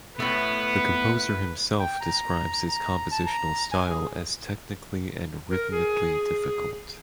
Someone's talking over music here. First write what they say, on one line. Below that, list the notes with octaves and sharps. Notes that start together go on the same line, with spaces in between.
The composer himself describes his compositional style as technically and rhythmically difficult.
A2 A3 B3 B4
G5
A#5
A#5
A5
A#5
G#5
G#4
A#4
G#4